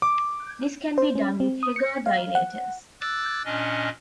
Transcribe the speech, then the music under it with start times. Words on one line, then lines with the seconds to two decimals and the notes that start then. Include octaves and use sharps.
This can be done with Hegar dilators.
0.02 D6
0.98 C5
1.15 C#4
1.40 C4
1.63 D#6
1.76 C#7
2.06 F5
2.35 F#5
3.01 D6 E6 F#6 A6
3.45 A#2 C#4 D4 D#5